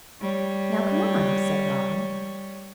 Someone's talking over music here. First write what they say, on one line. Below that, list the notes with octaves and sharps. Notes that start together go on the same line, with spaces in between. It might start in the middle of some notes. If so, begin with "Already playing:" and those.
"Now, come on," said Robin.
G3 C#5